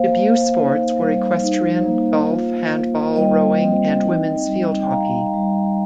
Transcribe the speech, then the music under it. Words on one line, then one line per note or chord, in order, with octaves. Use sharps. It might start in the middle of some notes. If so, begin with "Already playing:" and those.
Debut sports were equestrian, golf, handball, rowing, and Women's field hockey.
Already playing: A#3 C5 F5
A#3
D#4
G3
D#4
A#3
F4
A#3
G3 D#5 G5
C4
D#4
G3
G5
G3 F5 A#5
G3